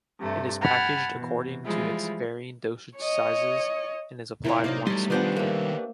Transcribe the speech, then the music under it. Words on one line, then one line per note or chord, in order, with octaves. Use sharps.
It is packaged according to its varying dosage sizes, and is applied once monthly.
G2 C3 A3
F#5 G5 A5 B5 F6 G#6
B2 E3
E3 F3 G3 G#3 E4 F4
C#5 D#5
C3 A#3 E4 A#4 B4 C#5
C3 F3 F#3 A#3 D#4 D5
E2 F#3 G3 A3 G#5 C6
D#3 F3 A3 B3 D4 G4 C5 F#5
A#3 E5